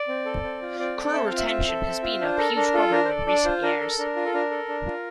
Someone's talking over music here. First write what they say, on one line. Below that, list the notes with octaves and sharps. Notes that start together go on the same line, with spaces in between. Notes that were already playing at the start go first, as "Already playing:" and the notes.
Crew retention has been a huge problem in recent years.
Already playing: D5
C4
A4
C4
F4
C4 D5
A4
C4 E5
F5
F4
E5
C4
A4
C4
F4
D4 C5
A4 A#4
D4 A#4
F4 A4
D4 A#4
C5
A4 D5
D4 D5
F4 C5
D4 A#4
A4
D4 A#4
F4
A4
D4 A#4
A4
D4
F4